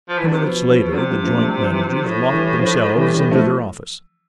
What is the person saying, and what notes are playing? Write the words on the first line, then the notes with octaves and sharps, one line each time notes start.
Two minutes later, the joint managers locked themselves into their office.
F3
E3
D3
C3
B2 F3
F3
D3
C3 F3
G3
F3
F3 A3
A3
G3
F3
E3
F3
A2 F3
E3 G3
F3
E3 G3
E3 G3
F3 A3